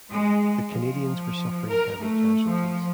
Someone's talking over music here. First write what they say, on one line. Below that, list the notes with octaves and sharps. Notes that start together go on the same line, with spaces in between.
The Canadians were suffering heavy casualties.
G#3
F3
A#4
A3
F3